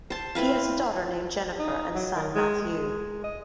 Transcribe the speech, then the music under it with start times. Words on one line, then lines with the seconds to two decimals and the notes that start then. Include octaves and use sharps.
He has a daughter named Jennifer and son Mathieu.
0.10 C5 A5
0.35 C4 E4 B4 F5
1.59 D#4
1.94 F#3
2.16 D#3
2.35 G#3
2.62 G#3
3.24 D#5